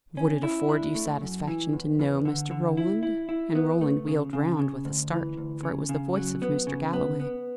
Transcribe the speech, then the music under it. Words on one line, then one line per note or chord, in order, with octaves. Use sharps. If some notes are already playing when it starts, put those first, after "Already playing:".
"Would it afford you satisfaction to know, Mr. Roland?" and Roland wheeled round with a start, for it was the voice of Mr. Galloway.
C#4
E4
D4
A3
F#2
E3
E2
E2
D3
D3
E4
E4
E4
B3
A3
C#3
C#3
C#3
D2
E3
D2
C#3
C#3
F#3
B3
C#3
B3
B3